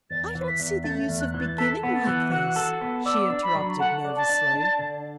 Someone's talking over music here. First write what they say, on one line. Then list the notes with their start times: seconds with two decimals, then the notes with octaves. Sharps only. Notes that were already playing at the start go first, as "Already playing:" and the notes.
"I don't see the use of beginning like this," she interrupted nervously.
0.10 E2 A6
0.35 E3
0.48 B6
0.60 E2
0.84 A3 A6
1.09 E2
1.21 F#6
1.34 E3
1.40 A6
1.58 A4 B6
1.83 B3
1.95 A6
2.07 E3
2.32 F#4 F#6
2.56 A4
2.81 B3
3.06 D5 E6
3.30 D4
3.43 B5
3.55 F#3
3.79 A4 F#5
4.05 D5
4.17 A5
4.29 D4
4.54 D4
4.79 D3